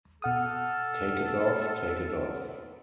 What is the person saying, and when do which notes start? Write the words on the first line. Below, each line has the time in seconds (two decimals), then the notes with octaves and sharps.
Take it off, take it off!
0.22 B2 A4 F#5 D#6 F6